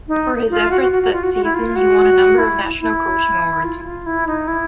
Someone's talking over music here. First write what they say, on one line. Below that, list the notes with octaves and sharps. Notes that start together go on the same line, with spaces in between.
For his efforts that season, he won a number of national coaching awards.
D#4
F4
F#4
F#4
F#4
F#4
F4
F#4
F#4
E4
F4
F#4
E4
E4
F4
F4
E4
D#4
E4